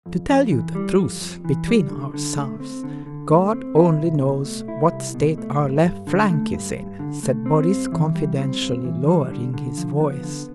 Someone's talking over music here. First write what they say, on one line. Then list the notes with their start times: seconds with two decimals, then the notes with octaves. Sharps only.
"To tell you the truth, between ourselves, God only knows what state our left flank is in," said Boris confidentially lowering his voice.
0.06 F2
0.29 F2
0.52 E3
0.75 G3
0.98 F2
1.21 F2
1.45 E3
1.68 G3
1.90 D3
2.14 D3
2.37 A3
2.60 C4
2.83 D3
3.06 D3
3.30 A3
3.53 C4
3.76 E4
3.99 C2
4.22 B2
4.45 A3
4.68 E4
4.91 C2
5.14 B2
5.38 A3
5.61 G2
5.84 G2
6.07 D3
6.30 A3
6.53 G2
6.76 G2
6.99 D3
7.23 A3
7.46 C4
7.69 G2
7.92 E3
8.15 G3
8.39 C4
8.62 G2
8.85 E3
9.08 G3
9.31 D3
9.54 D3
9.77 F3
10.00 B3
10.23 D3